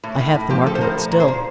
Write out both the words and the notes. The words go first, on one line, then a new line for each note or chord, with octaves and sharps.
I have the mark of it still.
A2
A2
A2
F3 G4
F3 A4
C5
A2 A#4
A#2
A#2
C5
A#2